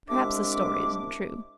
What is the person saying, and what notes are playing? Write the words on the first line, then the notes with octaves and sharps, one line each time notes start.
Perhaps the story isn't true.
C2 G#3 D4 E5 D6